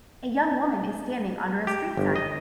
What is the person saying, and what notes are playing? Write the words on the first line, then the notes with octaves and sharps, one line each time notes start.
A young woman is standing under a street sign.
G4
G1
D#5